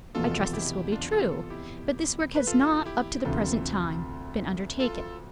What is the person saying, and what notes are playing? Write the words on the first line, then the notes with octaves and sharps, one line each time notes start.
I trust this will be true, but this work has not, up to the present time, been undertaken.
F1 E2 B2 F4 A4
A4
E4 G4
D4 F4
F4 A4
F4 A4
E4 G4
B4
F4 A4
E4 G4
D2 C3 E3 F4 A4
F4 A4